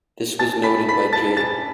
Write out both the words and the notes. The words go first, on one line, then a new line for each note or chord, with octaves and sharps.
This was noted by J.
A5 A6
B5 B6
B5 B6
A5 A6
A5 A6